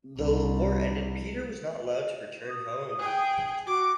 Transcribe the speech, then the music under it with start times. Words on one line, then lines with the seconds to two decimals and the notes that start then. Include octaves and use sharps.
Though the war ended, Peter was not allowed to return home.
0.18 C2
2.49 D#6
2.99 G#4 G5
3.67 F#4 D6